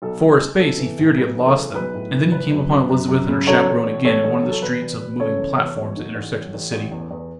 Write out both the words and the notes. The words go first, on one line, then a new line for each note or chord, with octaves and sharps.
For a space he feared he had lost them, and then he came upon Elizabeth and her chaperone again in one of the streets of moving platforms that intersected the city.
B1 A4
B1
G#3
B1 A4
E3
A2
B1 B4
E3
A4
G#3
B1 B4
A2
E3
F#1 B4
F#2
F#2
F#2
F#2
C#3
F#3 A4 C#5
A1
A1
A1 A4 C#5
A1
F#3
A4
E1 B4
E1
E1
C#3 A4 C#5
E2
E1
A1
G#2
A1
A1
A1
A1
E2
E2